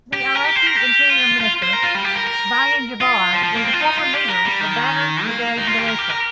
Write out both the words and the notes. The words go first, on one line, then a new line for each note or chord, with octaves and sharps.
The Iraqi Interior Minister, Bayan Jabr, was a former leader of Badr Brigade militia.
G4
A#4
G4
C5
A#4
G4
F4
F4
C5
A#4
F4
G3
G4
A#4
A#4
F4
F3
F3
A#3
C4
F4
D#4
F4
G4
A#4
G3
D#3
A#3
D#4
F4
G4
A#4
G4
A#4